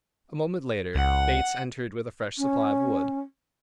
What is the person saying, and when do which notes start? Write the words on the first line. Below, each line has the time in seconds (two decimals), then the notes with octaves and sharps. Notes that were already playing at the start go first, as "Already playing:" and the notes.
A moment later Bates entered with a fresh supply of wood.
0.95 C#2 F#5
2.38 C#4